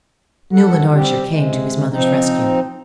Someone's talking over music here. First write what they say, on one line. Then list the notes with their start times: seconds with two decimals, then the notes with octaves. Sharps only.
Newland Archer came to his mother's rescue.
0.53 F#2 A4 F#5
0.93 G3 C4 G4
1.27 C3 G#3
1.90 F3 C4 D#4